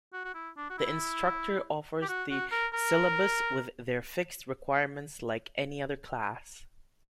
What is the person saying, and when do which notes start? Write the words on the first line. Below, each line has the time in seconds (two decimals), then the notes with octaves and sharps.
The instructor offers the syllabus with their fixed requirements like any other class.
0.13 F#4
0.25 F#4
0.34 E4
0.57 D4
0.70 F#4
0.78 E4
2.02 G4
2.08 F#4
2.30 F#4
2.51 A#4
2.73 A#4